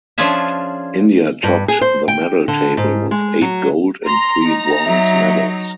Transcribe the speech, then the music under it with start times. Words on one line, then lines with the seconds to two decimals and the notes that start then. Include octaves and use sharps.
India topped the medal table with eight gold and three bronze medals.
0.18 F3 C#4 D4 F4 G#4 E5
1.44 G2
1.68 G#4
1.81 C5
2.08 G5
2.48 D3
2.77 G#2
3.11 G#3
3.42 F#3
4.06 A#5 C6
4.48 D#4
4.85 F#3 E5